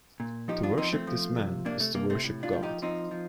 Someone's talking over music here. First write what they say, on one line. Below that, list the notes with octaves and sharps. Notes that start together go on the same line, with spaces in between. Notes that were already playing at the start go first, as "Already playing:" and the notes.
To worship this Man is to worship God.
A#2
F3 D#4 G4
D4 F4
F3 C4 D#4
A3 C4
F3
C3
C3 A#3 D4
A3
C3 A#3
A3 C4
A2
D4 F4
F3
D#4 G4
F3 C4 D#4
F3